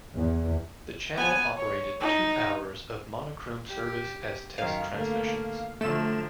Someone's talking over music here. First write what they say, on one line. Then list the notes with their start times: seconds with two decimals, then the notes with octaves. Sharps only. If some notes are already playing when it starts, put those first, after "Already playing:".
The channel operated two hours of monochrome service as test transmissions.
0.16 E2
1.15 B3 G#5
1.56 C#5
2.00 D#4
3.67 G4
4.58 F#2 D#3 F5
4.90 D3 A3 A#3
5.81 D3 F3 F#3 A3 E7